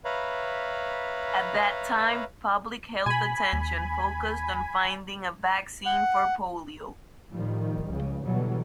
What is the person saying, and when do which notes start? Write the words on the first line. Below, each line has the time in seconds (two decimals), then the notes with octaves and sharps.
At that time, public health attention focused on finding a vaccine for polio.
0.05 B4 C#5 E5 F5 A#5 B5
3.06 B2 G#5 B5
3.53 D#2
5.86 F#5
7.32 A2 D#3 F3 G3
7.89 C#2 C#3
8.25 B2 D3 E3 F#3 G3